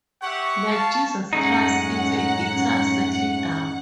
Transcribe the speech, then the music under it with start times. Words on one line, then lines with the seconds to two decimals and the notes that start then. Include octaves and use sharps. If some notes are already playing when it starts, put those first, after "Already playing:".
Like 'Jesus Christ it's a guitar, settle down.
0.22 G4 E5 F#5 C#6
0.70 F5 A5
1.33 F#2 A2 G#3 A3 C#4 D#4 F#5